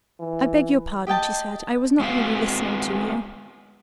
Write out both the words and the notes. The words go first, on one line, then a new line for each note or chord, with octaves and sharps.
"I beg your pardon," she said; "I was not really listening to you."
E3
G4 D#5 G5 A5
G#3 B3 C4 F#4 F5